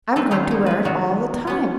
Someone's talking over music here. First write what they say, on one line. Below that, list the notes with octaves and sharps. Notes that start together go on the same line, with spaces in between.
"I'm going to wear it all the time."
F3 C4 G4 A4 B4
D#3 F#3 A3 C#4 F4 A4
D#4 E4
G#3 B4
D#3 F#3 B3 F#4
B3 C#4